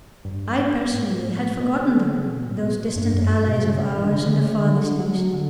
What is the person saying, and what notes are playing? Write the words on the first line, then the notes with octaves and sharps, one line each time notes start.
I, personally, had forgotten them, those distant allies of ours in the Farthest East.
G2
G2
A2
B2
C#3
D3
C#3
B2
A2
B2
G2
F#2
G2
B2
C#3
E3
D3
C#3
D3
C#3
D3
D3
F#3
D3